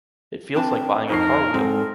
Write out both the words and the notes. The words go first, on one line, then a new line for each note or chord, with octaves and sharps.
It feels like buying a car wheel.
C4 D4 G5 A5
F2 D#4 A#4 C#6 C7
G#2 C4 A4